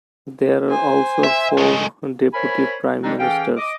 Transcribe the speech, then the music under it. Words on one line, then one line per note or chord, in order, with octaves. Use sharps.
There are also four deputy prime ministers.
C5 G#5
E5
G#3 A3
A#4 C5 C#5 E5 G#5 B5
E3 G3 G#3 C4 D4 D#4
E3 C#4 G#4 A4 F5 G5
D#5 D6